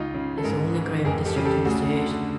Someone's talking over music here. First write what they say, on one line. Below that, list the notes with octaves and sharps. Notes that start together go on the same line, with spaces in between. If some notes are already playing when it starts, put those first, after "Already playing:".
It is the only Graham District in the state.
Already playing: C#2 D#4 F4
C#3
A4
G#2 G#4 A#4
E3
F2 G#4 A#4
G4 A4
C#3
G4 A4
D2 F#4 G#4
D3